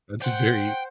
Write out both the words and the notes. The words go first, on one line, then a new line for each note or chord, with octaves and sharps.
That's very
C5 F#5 G5